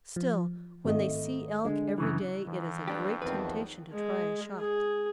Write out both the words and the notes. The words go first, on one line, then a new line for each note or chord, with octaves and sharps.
Still, when they see elk every day it is a great temptation to try a shot.
F3
G#1 A3 D#5
D3 G#3
F#2 C#3 E3
F2 E3
G3 B3 D4 G4
E2 D#3 F3 C4 B4
G#3
G#4